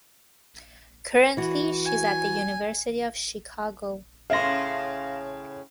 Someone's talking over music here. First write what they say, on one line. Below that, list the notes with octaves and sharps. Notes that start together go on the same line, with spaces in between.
Currently, she is at the University of Chicago.
E3 F#4
G#5
A2 C#3 E5 F5 C6 A#6